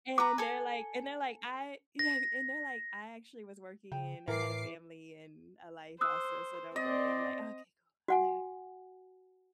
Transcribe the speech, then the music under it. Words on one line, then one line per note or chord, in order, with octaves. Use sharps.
and they're like and they're like, "I" yeah, and they're like, "I actually was working, and I had a family, and a life also, so don't worry." I'm like, "Okay, cool." I'm like, "Okay."
B4 A#5 D6
A4 G#5
A#6
C#3 G5
A2 E3 A#4 D6 C7
C5 D#6 E6 F#6
C4 D5 D#5
F#4 F#5 G#5